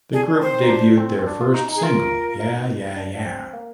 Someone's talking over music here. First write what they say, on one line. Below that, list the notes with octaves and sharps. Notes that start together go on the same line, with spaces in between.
The group debuted their first single Yeah, Yeah, Yeah!
D4 G#4
D4
C4 C5
D#4
D4
C4
C4
D4
F4
D#4
D#4
G#4
F4 A#4
D#4
D4
D4
C4
A#3